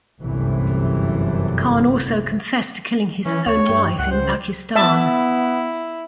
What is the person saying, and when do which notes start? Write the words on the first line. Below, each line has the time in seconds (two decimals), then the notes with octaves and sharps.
Khan also confessed to killing his own wife in Pakistan.
0.21 G1 C2 F#2 C3 E3 A3
3.26 E3 C#4
3.47 D2 C#5
3.69 G2
3.99 C#2 F#5
4.11 C5
4.76 B3 E4 E5 A5